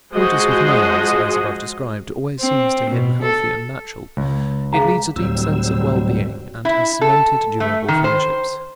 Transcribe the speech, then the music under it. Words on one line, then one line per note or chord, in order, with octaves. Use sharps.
Coitus with males, as above described, always seems to him healthy and natural; it leaves a deep sense of well-being, and has cemented durable friendships.
F3 G#3 F#4 G#4 C5 D#5
C4
B2
A4
C#2
G#4 F5 A#5
D2 A2 F#3 G3 C4 E6
E4
A4
A3
D#3
C5